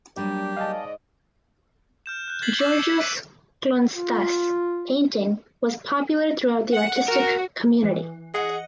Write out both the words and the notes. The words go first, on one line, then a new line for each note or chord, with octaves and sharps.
Georgios Klontzas’s painting was popular throughout the artistic community.
F#3 G3 A#3 D4 G4
G#2 D5 D#5 F5 G#5 A5
F6 G6 E7
F#6 G6
G#6 A6 B6 C7 F#7
C#6 D6 E6 G6 E7
E6 C7 C#7
F#6 B6 D7 D#7 F#7
F4
F#5
F#4 A#4
E3
G#4 D#5 F#5